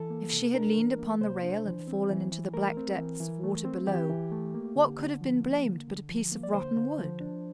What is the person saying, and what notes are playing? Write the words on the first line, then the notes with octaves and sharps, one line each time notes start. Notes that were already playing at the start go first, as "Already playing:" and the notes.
If she had leaned upon the rail and fallen into the black depths of water below, what could have been blamed but a piece of rotten wood.
Already playing: E3 A4
A#3
C3
D4 A#4
E3
A#3
C3 C5
D4
E3
C4
E3
E3
A3 A#4
C4
E3
E3
A3
C4
E3 G4
E3
A3
A#3
D3
D3
F3
A#3
D3
D3
F3
A#3
D5
D3 C5
D3
F3
D4